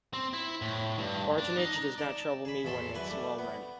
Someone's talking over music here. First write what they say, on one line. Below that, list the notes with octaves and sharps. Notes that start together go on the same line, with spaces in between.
Patronage does not trouble me when it is well meant.
C4
E4
A2
G2
D4
D#4
D5 A5
G#4 B5
A1 E2 C#4 A5 B5 C6
F#2 E3 B4 G#5
G3 A3
B3